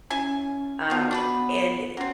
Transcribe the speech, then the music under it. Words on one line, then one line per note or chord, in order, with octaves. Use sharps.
um and
C#4 E4 G#5
B2 F3 B3
B3 D4 F#4 B4
F#3 C4 C#4